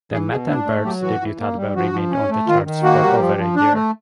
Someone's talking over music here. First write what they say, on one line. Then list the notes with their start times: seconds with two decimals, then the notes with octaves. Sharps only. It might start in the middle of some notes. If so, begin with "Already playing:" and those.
The Mutton Birds debut album remained on the charts for over a year.
0.12 E3 G#4
0.30 B2 G#4
0.48 D4 E4
0.66 A3
0.85 F#3 G4
1.02 E3 F#4
1.20 E3
1.39 A#3
1.57 G3
1.75 F3 F#4
1.93 F3
2.11 C#4
2.30 A3
2.47 D#3 F4
2.66 D#3
2.83 A#3 F#4
3.02 G3
3.20 F3
3.38 F3
3.56 D4
3.74 A3